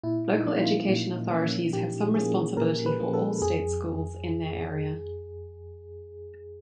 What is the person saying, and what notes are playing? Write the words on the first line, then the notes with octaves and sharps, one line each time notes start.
Local education authorities have some responsibility for all state schools in their area.
A#2 E4
D#4
F3 A#3 C#4
E4
F4
A#2
F3 A#3 C#4
A#2 G4
F3 A#3 C#4 G#4
A#2 A#4
B4
F3 A#3 C#4
A4
F2 G#4